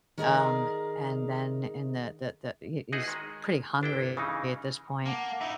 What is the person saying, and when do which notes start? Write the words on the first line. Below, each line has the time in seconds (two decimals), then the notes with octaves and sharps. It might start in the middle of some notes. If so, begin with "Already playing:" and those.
um, and then in the the the he he's pretty hungry at this point,
0.18 D#3 G#4 A#4 D5
2.93 D#4 E4 F#4 G#4 B4 D#5
3.08 D#3 G#3
3.81 G1 D4 E4 G5
4.17 C#3 E3 D#4
5.06 A#3 F#5 A5 D6
5.41 D#4 E4 E5